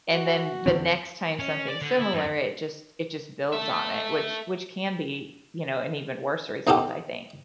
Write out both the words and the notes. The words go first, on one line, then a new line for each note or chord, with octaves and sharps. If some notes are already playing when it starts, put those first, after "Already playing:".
and then the next time something similar, it just it just builds on it, which which can be, you know, an even worse result, I think.
F#4
E2 D3 C4
C#4
D5
D3
E4
F#2
A4 E5
E2 D#4 F#4 G4 A4